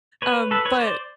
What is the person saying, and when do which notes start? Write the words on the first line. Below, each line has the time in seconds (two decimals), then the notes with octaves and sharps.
um, but,
0.22 B4 C#5
0.51 A4 B4
0.65 B4 C#5
0.80 C5 D5